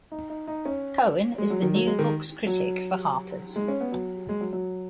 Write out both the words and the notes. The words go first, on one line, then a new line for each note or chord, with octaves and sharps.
Cohen is the New Books critic for "Harper's".
D#4
D#4
D#4
C#4
G#3
F#3
D#3
F#3
G#3
D#3
F#3
G#3
C#4
B3
F#3
G#3
F#3
F#3